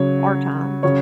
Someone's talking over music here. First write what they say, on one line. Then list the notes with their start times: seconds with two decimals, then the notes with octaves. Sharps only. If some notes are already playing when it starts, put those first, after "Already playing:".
our time,
Already playing: C#3 F#3 C#5
0.83 C#3 F#3 C#5